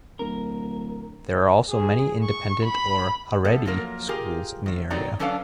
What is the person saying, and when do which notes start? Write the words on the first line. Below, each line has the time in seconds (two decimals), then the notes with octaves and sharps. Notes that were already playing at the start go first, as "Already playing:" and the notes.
There are also many independent or Haredi schools in the area.
0.19 D1 A#4
1.70 G#4
2.24 C#6
2.65 B5
3.45 G3 A3 B3 A4
3.65 F3 F#3 A#3 A#4
4.09 F4 G4 G#4 A#4
4.66 E2
4.90 F#3 C4 D#4 C#5 D5 A#5
5.19 F#3 C#4 D4 A4 B4 F5